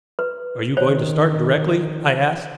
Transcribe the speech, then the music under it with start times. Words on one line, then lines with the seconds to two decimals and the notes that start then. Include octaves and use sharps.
"Are you going to start directly?" I asked.
0.19 B4
0.77 D#3 C5 C#5